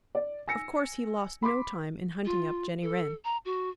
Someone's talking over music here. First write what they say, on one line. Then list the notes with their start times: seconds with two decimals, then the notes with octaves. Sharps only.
Of course he lost no time in hunting up Jenny Wren.
0.15 D5
0.48 G#5 E6 A#6 C#7
1.42 B5 C6 D6 B6
2.25 F4
2.83 A4
3.25 A#5
3.45 F#4